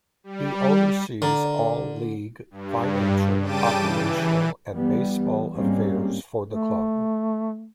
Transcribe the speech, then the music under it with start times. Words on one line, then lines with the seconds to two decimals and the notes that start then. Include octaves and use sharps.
He oversees all league, financial, operational and baseball affairs for the club.
0.24 G3
1.22 D3 A#4 D5
2.51 G2
3.40 C#3 G3 G5 A5 D6 D#7
3.75 E3
4.71 E3 G3 B3
5.55 G#2 G3 G#3 A#3 C4 C#4
6.47 A3